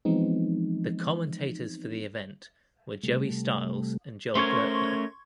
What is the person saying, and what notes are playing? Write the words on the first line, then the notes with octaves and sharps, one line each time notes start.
The commentators for the event were Joey Styles and Joel Gertner.
E3 F3 G#3 B3 C4 D#4
C3 G3 A3
A3 C#4 A#4 C5 C6 C#6 G#6